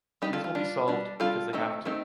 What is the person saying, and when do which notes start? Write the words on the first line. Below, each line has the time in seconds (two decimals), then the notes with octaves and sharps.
These will be solved, because they have to.
0.22 G3 D4 D#4 G4
0.33 F4 A4
0.44 F4
0.55 G3 D4
0.88 G3 D4
1.20 G3 D4 F4 A4
1.53 D#3 A3 C4 D#4
1.85 D#3 A3 C4 D#4